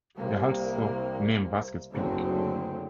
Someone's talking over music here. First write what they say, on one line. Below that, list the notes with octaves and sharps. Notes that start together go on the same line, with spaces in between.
He also named Vasquez Peak.
C2 C3 A#3
F#1 D2 D3 F#3 C4